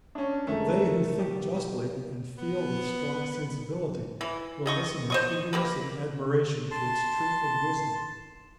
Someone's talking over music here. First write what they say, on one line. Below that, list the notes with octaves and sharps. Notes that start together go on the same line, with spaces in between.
But they who think justly, and feel with strong sensibility, will listen with eagerness and admiration to its truth and wisdom.
C#4 D4
F2 G#3 A3 A#4
B1 G4
B3
E3
D#3 D#5 C#6
C5 D#5 C#6
A#3 G4 B4
A5 C6